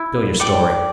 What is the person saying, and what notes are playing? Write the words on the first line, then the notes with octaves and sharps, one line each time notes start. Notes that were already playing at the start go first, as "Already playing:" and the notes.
"Spill your story."
Already playing: E4
A4 D5 G5 D6